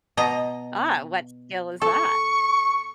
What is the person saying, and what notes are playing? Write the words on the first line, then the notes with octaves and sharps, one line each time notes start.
Ah, what skill is that?
B2 D#5 A#5
A4 C#6